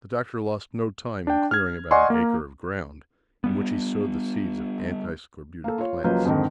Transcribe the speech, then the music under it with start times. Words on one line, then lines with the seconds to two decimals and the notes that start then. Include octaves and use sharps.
The Doctor lost no time in clearing about an acre of ground, in which he sowed the seeds of anti-scorbutic plants.
1.27 D4 G5
1.51 F6 G#6
1.91 D5 D#5 F#5 G#5 C6 C#6
2.10 A#3 A#5
3.44 G3 B3
5.64 A#3 A4
5.78 F4 C#5
6.04 C#2 F3 F#3 A#3 B4 G6
6.25 F2 G#2 D3 D#3